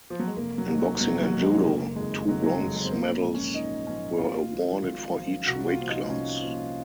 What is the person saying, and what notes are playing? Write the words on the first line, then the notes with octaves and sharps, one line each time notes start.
In boxing and judo, two bronze medals were awarded for each weight class.
F3
F#3
G#3
F1 A#3
F#3
D#2 D#3
F#3
F1 F#3
F#3
D#2 D#3
G#3
F#1 A#3
F2 D#3 G#3
F#1 F#3
F#3
F2 D#3 G#3
G#3
C4
A#1 A#3
A#3
G#2 F3
C#4
A#1 D#4
G#2 F3 C#4
G#1 F4
G#2 F3
G#1
G#2 F3
C2 F#4
F4
A#2 F3
D#4
C2 C#4
A#2 F3